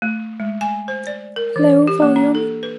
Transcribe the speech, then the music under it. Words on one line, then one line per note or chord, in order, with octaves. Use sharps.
Low volume.
A3
G#3
G#5
C5
D5
A#4
E3
G4
A#3
D4
A4
B4